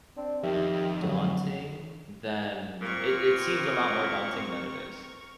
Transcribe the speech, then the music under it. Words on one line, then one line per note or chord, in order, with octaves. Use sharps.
daunting than it it seems a lot more daunting than it is.
C4 D4
F2 D#3 G4 E5
D3 F#3 F#4
A#2 C4 A#4 C#6